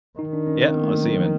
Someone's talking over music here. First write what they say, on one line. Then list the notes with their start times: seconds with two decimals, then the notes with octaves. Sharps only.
Yeah, I'll see you, man.
0.19 D#3 D#4
0.33 D4
0.47 C#4
0.61 C4
0.75 B3
0.83 A3
0.89 A#3
1.03 F#3
1.17 F3